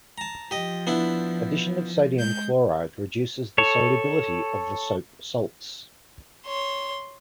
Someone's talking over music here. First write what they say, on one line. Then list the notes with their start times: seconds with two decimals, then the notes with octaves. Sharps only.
Addition of sodium chloride reduces the solubility of the soap salts.
0.18 A5 A#5
0.51 F3 G4 D#5
0.87 B3 D4 E4
2.20 G#3 G6
3.58 A4 C#5
6.46 C#5 C6